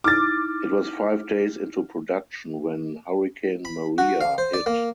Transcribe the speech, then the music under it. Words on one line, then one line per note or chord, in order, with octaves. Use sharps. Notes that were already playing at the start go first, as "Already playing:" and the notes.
It was five days into production when Hurricane Maria hit.
D#4 E4 D6 F6 A6
B5
F#4
F5
C5
D5
A#3